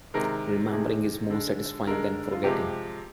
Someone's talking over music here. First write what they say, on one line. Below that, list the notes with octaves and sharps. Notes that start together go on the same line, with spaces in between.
Remembering is more satisfying than forgetting.
C3 D#3 G#3 A#4
C3 D#3 G#3 G#4
D3 G#3
D3 G#3 A#4
F4
C3 F3 G#3 G4